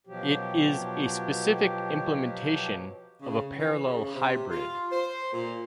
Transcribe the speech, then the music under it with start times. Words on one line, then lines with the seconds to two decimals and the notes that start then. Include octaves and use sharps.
It is a specific implementation of a parallel hybrid.
0.07 B2 F3 F#3 G4
3.22 C#3
3.58 E3
3.86 C#3
4.15 C3
4.51 F4
4.92 C5
5.33 A#2